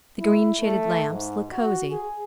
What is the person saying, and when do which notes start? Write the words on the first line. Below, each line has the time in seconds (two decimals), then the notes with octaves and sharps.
The green shaded lamps look cosy.
0.20 E4
0.60 A3
1.09 G#2
1.50 F#4
1.90 G#4